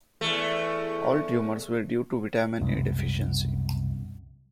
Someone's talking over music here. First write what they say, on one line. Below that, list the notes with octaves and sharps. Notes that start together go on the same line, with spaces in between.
All tumours were due to vitamin A deficiency.
E2 A3
C2 F#2 B2 G#3